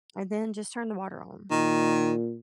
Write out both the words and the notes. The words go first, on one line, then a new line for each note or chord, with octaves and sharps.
And then, just turn the water on
A#2 D#3